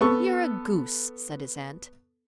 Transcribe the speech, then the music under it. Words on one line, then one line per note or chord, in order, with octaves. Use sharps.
"You're a goose!" said his aunt.
B3 A4 C#6